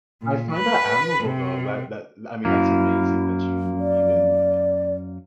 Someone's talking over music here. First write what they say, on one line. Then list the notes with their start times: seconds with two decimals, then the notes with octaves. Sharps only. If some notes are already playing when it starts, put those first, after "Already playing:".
I find that admirable, though, that that I mean, that's amazing that you even it, uh
0.22 A#2
0.53 B4
1.24 C3
2.45 F#2 A#3 E4
3.79 D5